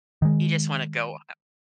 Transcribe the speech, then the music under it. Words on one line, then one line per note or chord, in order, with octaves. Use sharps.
You just wanna go, uh,
D#3 G#3